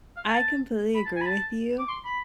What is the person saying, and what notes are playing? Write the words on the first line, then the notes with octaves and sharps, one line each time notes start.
I completely agree with you
F5
G#5
A5
B5
A5
G#5
B5
A5
D6
C6
B5